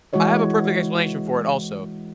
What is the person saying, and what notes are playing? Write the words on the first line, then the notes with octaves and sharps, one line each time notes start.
I have a perfect explanation for it also.
E3 G#3 E4 F#4 C#5 D#5